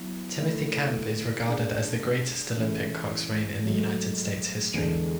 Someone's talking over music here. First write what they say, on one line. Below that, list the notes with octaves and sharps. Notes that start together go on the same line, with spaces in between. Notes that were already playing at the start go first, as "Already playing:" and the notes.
Timothy Camp is regarded as the greatest Olympic coxswain in the United States history.
Already playing: F#3 B3 E4
D3 A3 E4
G#3 D4 G#4 D5
E3 G#3 C#4 E4 A4
G#2 F#3 A3
E2 D3 G#3 D4